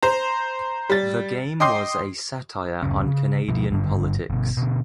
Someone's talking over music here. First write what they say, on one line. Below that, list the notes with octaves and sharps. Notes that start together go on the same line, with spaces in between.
The game was a satire on Canadian politics.
C5 A#5
G3 A6
D#5 G5 C6 D6 D#6 C7
D1 F#2 C#3 C#4
C#3
G1 B2 F3
G#1 G2 D3
G1 B2
B2 D3